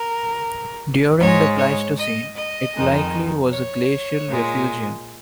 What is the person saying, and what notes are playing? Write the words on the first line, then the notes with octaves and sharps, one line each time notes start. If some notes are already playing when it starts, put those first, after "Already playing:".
During the Pleistocene it likely was a glacial refugium.
Already playing: A#4
G#2 G#3 C#5
C#5
D#5
D#5
F2 D#3 G#3
C#5
A#2 G#3